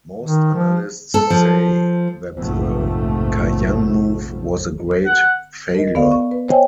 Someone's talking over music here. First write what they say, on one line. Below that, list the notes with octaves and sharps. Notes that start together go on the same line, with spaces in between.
Most analysts say that the Kajang Move was a great failure.
D#3
F3
A4
F3
F1 A#1 G#2 A3
F#5
A#4 D#5
B3 D5 F5
C#6
B4
C5 C#5 D#5 G5 G#5